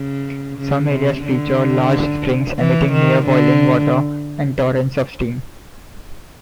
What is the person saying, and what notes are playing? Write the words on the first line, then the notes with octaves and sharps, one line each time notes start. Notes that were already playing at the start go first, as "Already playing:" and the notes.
Some areas feature large springs emitting near-boiling water and torrents of steam.
Already playing: C#3
C#3
C3
D3
E3
D#3
D3